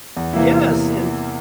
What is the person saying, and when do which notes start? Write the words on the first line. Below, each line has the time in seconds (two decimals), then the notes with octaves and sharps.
Yes, and
0.17 E2
0.33 C3 E3 A#3 E4